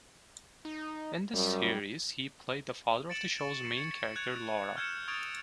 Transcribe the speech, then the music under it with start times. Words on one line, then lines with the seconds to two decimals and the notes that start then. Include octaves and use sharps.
In this series he played the father of the show's main character, Laura.
0.65 D#4
1.34 F#2 G3
3.09 A6 C#7 D7 E7 F#7
3.41 C#6
3.77 G#6 A6 C#7
4.16 F#6 G#6 C#7 F7
4.76 E6 F6 G6 G#6 C#7 E7
5.08 C#6 D#6 G#6 A6 D7 F7